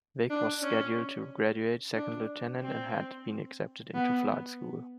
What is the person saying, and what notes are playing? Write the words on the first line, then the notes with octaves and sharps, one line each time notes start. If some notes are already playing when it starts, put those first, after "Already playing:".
Vic was scheduled to graduate second lieutenant and had been accepted to flight school.
D4
C#4
D4
C4
B3